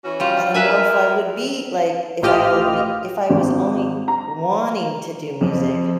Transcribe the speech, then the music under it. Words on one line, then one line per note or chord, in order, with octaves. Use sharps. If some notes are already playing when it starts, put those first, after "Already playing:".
I don't know if I would be, like, if I only if I was only wanting to do music
E3 C#4 F#4
G3 F4
A#4 B4 E5 G#5
A1 A2 F4 G4 D#5 F6
G#1
A#5
F2